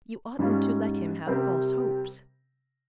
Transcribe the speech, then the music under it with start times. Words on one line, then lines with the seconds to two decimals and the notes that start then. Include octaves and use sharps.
"You oughtn't to let him have false hopes."
0.39 G#2 G3 C#4 F4
1.27 C3 G3 C4 G4 A#4